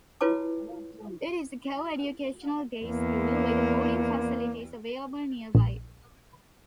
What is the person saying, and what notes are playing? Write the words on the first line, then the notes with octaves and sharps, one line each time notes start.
It is a co-educational day school with boarding facilities available nearby.
E4 F4 B4 C#5 A5 D6
E2 A#3
A#1